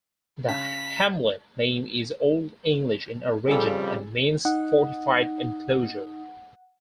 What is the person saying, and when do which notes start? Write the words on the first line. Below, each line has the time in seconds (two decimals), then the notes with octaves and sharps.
The hamlet name is Old English in origin, and means 'fortified enclosure'.
0.49 C#3 B6
3.48 F2 C#3 G3 G#4 A4
4.45 D#4 F#5